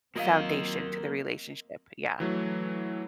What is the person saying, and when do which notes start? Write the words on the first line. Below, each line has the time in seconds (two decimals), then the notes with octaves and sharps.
foundation to the relationship, yeah.
0.16 F#3 A#3 C4 F4 D#5 F5
2.20 E3 F#3 A3